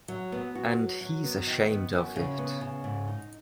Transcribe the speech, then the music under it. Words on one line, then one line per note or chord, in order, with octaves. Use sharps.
And he's ashamed of it.
F#3
B3
F#4
F#3
F#3
B3
D#3
B3
F#2
C#3
B3
C#3
G#2
D#4